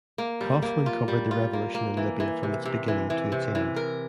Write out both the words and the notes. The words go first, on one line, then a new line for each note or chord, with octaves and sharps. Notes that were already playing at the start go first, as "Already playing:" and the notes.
Kofman covered the revolution in Libya from its beginning to its end.
A#3
G3
A#3
F4
G3
F4
A#3
A#3
E3
E3
C3
C3
E3
E3
C3
E3
A#4